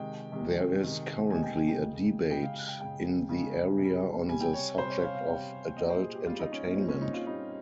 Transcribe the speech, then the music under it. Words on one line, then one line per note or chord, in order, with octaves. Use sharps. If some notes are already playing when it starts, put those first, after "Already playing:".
There is currently a debate in the area on the subject of "adult entertainment".
Already playing: C3 D#3 G#3 G5
C3 D#3 G#3
C3 D#3 G#3
C3 D#3 G#3 G#5
G5
G5
G5
C#3 G#3
C#3 G#3 G5
F5
F5
G5
C#3 G#3 G5
C#3 G#3
C3 G3
C3 G3 G#5
G5
C#5
C3 G3 C5
C#5
F5
F5
C3 G3 G5
A#2 G3 D#5
C5
G#4
G4
A#2 G3 F4
D#4
C#4
A#3
A#2 G3 C4
C#4
D#4
F4
A#2 G3 D#4